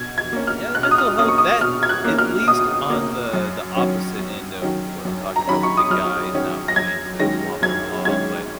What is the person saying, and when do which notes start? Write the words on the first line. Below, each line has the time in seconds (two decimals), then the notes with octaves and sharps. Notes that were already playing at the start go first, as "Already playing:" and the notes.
Man, yeah, the mental health that at least on the the opposite end of what I'm talking about with the guys not wanting to blah, blah, blah, but
Already playing: B2 G#6
0.18 G#6
0.33 A#3 C#4
0.47 F6
0.75 B2 F#6
0.83 F6
0.91 D#6
0.98 F6
1.19 A#3 C#4 D#6
1.28 C#6
1.38 D#6
1.61 B2 F6
1.83 G#6
1.89 F#6
2.04 A#3 C#4
2.18 F6
2.48 B2 D#6
2.90 A#3 C#4
3.33 F#2
3.76 D#3 F#3 C#4
4.19 F#2
4.62 D#3 F#3 C#4
5.05 F#2
5.36 A#5
5.47 D#3 F#3 C#4 B5
5.63 C#6
5.77 D#6
5.90 F#2 F6
6.34 D#3 F#3 C#4
6.68 A#6
6.76 F#2 G#6
7.19 D#3 G#3 C#4 A#6
7.62 F#2 G#6
8.05 D#3 G#3 C#4 G#6